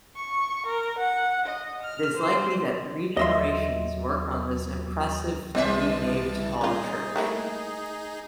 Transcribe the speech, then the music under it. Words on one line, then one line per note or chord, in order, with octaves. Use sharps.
It is likely that three generations worked on this impressive three-naved hall church.
C#6
A#4
F#5
D#5
F6
C5
D#2 F#3 D#5 E5 C6
C2 E3 G3 C4 C5 D5 E5 A5
C#4 D#4 F4 G#4
A3 A#3 E4